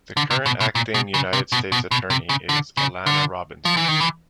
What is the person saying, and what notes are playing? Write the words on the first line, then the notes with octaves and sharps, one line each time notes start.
The current Acting United States Attorney is Alana Robinson.
D3
C3
B2
B2
A#2
B2
C#3
C3
B2
B2
B2
C3
C#3
D3
C#3
D3
F3
E3
D#3
E3